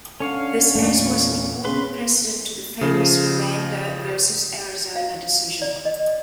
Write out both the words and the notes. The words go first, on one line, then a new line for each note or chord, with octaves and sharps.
This case was an important precedent to the famous "Miranda versus Arizona" decision.
D3 C#4 C#5 F5
E2 A#2 A3
C#3 B4 C6
C#3 F3
F5
D5
D#5